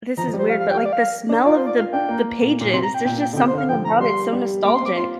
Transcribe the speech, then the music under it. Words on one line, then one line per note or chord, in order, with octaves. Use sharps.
this is weird, but, like, the smell of the the pages, there's just something about it, it's so nostalgic.
F3 A#5
F3
G3
C5
F5
F5
G5
F5
D5
F5
D4
F4 D5
C5
D5
F4 F5
D4 G5
A#3
A#2
A#2
C3 C6
A#5
G5
A#2 G5
G5
D3
C3 G5
C5
D3
F5
F3 G5
A#5
G3 C6
G3
A#3 D6
C6
C4
D6
F4 C6